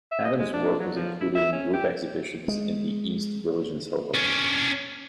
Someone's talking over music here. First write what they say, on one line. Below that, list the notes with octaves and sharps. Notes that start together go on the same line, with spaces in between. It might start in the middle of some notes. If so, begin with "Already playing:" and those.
Adams' work was included in group exhibitions in the East Village and SoHo.
E5
D#5
G#3
D4
F#3
F3
E4
E5
C#4
G4
G#3
C#4 D4